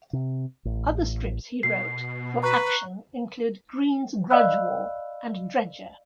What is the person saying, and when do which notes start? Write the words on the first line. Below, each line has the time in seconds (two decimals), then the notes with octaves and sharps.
Other strips he wrote for "Action" include "Green's Grudge War" and "Dredger".
0.13 C3
0.65 A1
1.63 B2 C7
2.43 B4 A#5 C#6 F#6
4.30 D5 D#5 F5 B5 E6 F#6